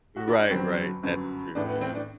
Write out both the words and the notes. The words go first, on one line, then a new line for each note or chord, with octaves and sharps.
Right, right, that's true, yep.
F#4
E4
D4
G1 F#2 F#3 C4
G1 F#2 F#3
A1 A2 E3 D4
B3
C4
D4